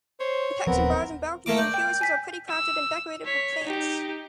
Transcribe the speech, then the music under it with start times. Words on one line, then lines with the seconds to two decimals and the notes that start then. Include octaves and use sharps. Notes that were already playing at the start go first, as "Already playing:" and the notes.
The protection bars in balconies and terraces are pretty crafted and decorated with plants.
0.20 C5 C#5
0.67 D#1 F3 B3 C4 A#4
1.46 A3 A#3 D6
1.58 D5 G6
1.74 G5
2.01 G#5 B6
2.48 E6
3.25 C#5 B6
3.64 D#4 G4